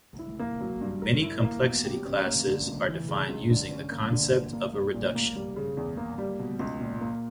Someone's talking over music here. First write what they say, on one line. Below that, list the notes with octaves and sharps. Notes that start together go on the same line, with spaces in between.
Many complexity classes are defined using the concept of a reduction.
E4
A#3
F#3
G2
A#4
E4
A#3
B2
G4
C#4
A#3
D3
C#2
E3
C#3
C#2
D3
C#4
A#3
D3
A#2
A#3
G3
A#2
A#3
G3
C#3
E2
A#3
G3
B2
C#2
A#2
A#3